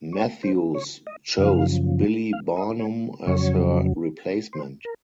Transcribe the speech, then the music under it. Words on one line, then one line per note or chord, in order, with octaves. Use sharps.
Matthews chose Billie Barnum as her replacement.
C#5
C5
C#5
D#5
F#2 C#3 F3 F5
F5
D#5
C#5
F2 C#3 F#3 C#5
C5
A#4